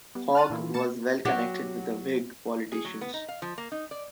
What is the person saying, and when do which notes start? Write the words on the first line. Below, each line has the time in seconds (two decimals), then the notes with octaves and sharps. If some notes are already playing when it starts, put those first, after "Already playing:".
Hogg was well connected with Whig politicians.
0.15 G3 B3
0.35 F6 F#6 A6 D#7
0.50 A#2 E3 A#3 E4 F4
0.74 B2 A#3 A5 A6 C#7 E7
1.25 F#3 F#4 G4
2.72 G#4
2.85 F#3
3.01 B3
3.14 D#4
3.28 F5
3.42 F3
3.58 A#3
3.72 D#4
3.91 D5